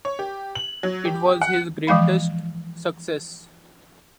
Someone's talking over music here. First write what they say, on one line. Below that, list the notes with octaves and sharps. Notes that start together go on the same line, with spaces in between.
It was his greatest success.
C#5
G4
F#7
F#3
G4
F#5
E3 F3 G#3 F5 B5